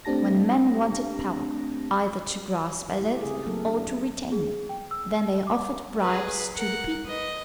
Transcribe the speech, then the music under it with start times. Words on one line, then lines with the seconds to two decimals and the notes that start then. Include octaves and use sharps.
When men wanted power, either to grasp at it or to retain it, then they offered bribes to the people.
0.05 A3 C4 D4 G4 A5 A#6
2.99 A3 E4 G4
3.21 C#3 C4 G#4
3.46 F#3 A3 A#3 A4 A#4
3.64 D4
4.32 G#4
4.69 G5
4.91 E6
5.47 D6
6.01 G#4 B4
6.56 A#4 F#5
7.06 B4 D#5